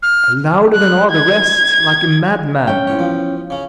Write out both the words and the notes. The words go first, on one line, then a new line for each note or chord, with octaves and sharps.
"Louder than all the rest; like a madman."
F6
F#6
G#6
C#4 G5
C2 G#2 C#5
E2 F3
C#3 C#4